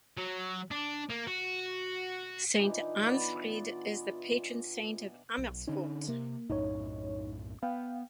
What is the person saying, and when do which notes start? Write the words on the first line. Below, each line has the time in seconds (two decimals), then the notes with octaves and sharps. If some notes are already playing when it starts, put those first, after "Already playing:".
Saint Ansfried is the patron saint of Amersfoort.
0.18 F#3
0.71 D4
1.10 A#3
1.27 F#4
2.59 E3 D4 D#4 F4
3.07 B3 D5
5.38 B1
5.68 D3 C#4 D#4
6.08 C3 A#3
6.50 B1 F#2 A2 D#4 C#5
7.63 B3 F5 G5